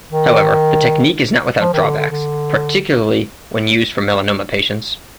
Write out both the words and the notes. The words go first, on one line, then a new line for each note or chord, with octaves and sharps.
However, the technique is not without drawbacks, particularly when used for melanoma patients.
D#3
F3
D#3
D3
D3
D3